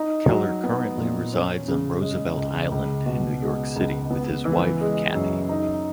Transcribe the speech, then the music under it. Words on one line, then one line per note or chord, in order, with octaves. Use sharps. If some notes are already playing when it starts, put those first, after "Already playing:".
Keller currently resides on Roosevelt Island in New York City with his wife, Kathy.
Already playing: D#4
F#3
B3
A#2
C#4
C#3
G#3
C#2
C#2
B2
G#3
C#2
B3
E3
G#3
F#2
D#4